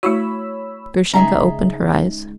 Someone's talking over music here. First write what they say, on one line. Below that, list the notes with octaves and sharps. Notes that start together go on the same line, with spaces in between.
Grushenka opened her eyes.
A3 E4 F#4 C#5 B5 E6
C#3 G#3 D#4 G#4 E5 A#5